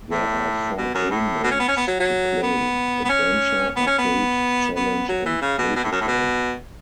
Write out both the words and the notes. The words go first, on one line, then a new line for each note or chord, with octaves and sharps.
There are four game modes to play: Adventure, Arcade, Challenge, and Multiplayer.
A2
B2
F#2
A2
B2
C#4
B3
C#4
B3
F#3
F#3
B3
B3
C#4
B3
C#4
B3
B3
F#3
E3
C#3
B2
B2
A2
F#2
A2
B2